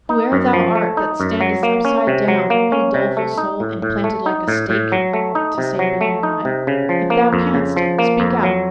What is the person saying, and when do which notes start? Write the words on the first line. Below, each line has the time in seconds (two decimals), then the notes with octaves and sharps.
"Whoe'er thou art, that standest upside down, O doleful soul, implanted like a stake," To say began I, "if thou canst, speak out."
0.09 D#4
0.32 F#2
0.53 F3
0.75 A3
0.97 D#4
1.20 F#2
1.41 F#3
1.63 A#3
1.85 C#4
2.07 C3
2.28 F#3
2.50 A#3
2.72 C#4
2.94 C3
3.17 A3
3.38 D#4
3.60 A2
3.82 A2
4.04 A3
4.26 D#4
4.48 A2
4.70 A2
4.92 F#3
5.13 A3
5.35 D#4
5.58 C3
5.79 F#3
6.01 A3
6.23 D#4
6.45 C3
6.67 C#3
6.89 F3
7.10 A#3
7.33 F2
7.54 C#3
7.77 F3
7.99 A#3
8.20 F2
8.43 F#3